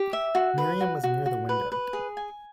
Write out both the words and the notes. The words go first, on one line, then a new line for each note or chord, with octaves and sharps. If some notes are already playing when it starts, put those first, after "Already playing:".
Miriam was near the window.
Already playing: G4
E5
F#4
B4
F#4
F#4
F#4
B4
B4
G#4
G#5